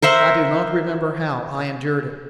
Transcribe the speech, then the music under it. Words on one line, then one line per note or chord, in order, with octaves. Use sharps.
I do not remember how I endured it.
A#4 C5 E5 F#5